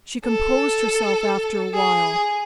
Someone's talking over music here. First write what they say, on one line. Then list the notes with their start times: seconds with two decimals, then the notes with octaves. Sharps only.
She composed herself after a while.
0.25 A4
1.73 G#4